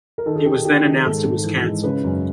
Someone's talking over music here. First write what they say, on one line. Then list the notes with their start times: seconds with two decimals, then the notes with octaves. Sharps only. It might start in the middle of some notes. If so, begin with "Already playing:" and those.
It was then announced it was cancelled.
0.18 A#4
0.26 D#3 A4
0.36 G#4
0.45 D#3 G4
0.55 G#4
0.65 D#3 G4
0.85 D#3 G#4
1.05 G#2 A4
1.24 G#2
1.44 E3
1.64 G#3
1.84 C#3 B4
2.04 F#2